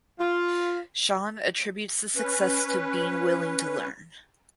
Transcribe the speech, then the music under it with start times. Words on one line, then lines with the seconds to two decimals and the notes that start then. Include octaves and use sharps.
Shawn attributes the success to being willing to learn.
0.20 F4
2.16 C#4 B4